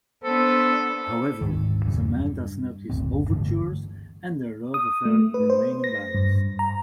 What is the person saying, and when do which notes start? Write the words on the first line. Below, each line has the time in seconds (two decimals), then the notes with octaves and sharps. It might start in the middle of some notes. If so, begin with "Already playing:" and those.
However, Samantha snubbed his overtures and their love affair remained in balance.
0.24 B3 D4 A4 C5
1.41 D1 G#2 D#3
1.86 E2 G2 C#3 F#3
2.16 G2
2.90 F#1 D2 A2 C4
3.30 G2 D3 E3 A3
4.74 D#6
5.05 A3
5.34 B4
5.50 C5
5.84 A#6
6.15 G2
6.59 A#5